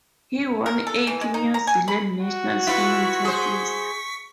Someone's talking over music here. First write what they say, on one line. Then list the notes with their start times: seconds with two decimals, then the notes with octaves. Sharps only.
He won eight New Zealand national swimming titles.
0.66 A#4
0.87 A4
1.07 E3
1.21 G#3
1.34 D#4
1.54 A#5
1.67 G#5
1.88 B5
2.24 F#4
2.67 E4 F4 B4 C#6 B6
3.24 G#4 C5